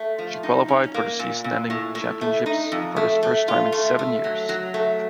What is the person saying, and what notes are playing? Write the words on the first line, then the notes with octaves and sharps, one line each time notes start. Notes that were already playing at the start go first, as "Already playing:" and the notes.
She qualified for the season-ending championships for the first time in seven years.
Already playing: A3
F3
D#4
C#4
A#3
A#2
A#2
A2
A2
A3
D#4
F2
A3
A3
F4
A3
A3
F#3
F#3
A3